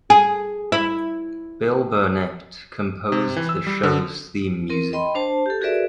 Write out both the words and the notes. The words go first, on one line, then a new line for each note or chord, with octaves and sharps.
Bill Burnett composed the show's theme music.
G#4
E4
C3
E3
E6
G3
D3
C4 A#4
D#5 G5 B5 C6
D4 C5 A5
G4 A4
F#4 G#4 A#4 B4 D5 E5